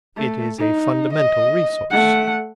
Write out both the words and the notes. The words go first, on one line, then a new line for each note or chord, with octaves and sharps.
It is a fundamental resource.
A3
D#4
D#5
A3 F#5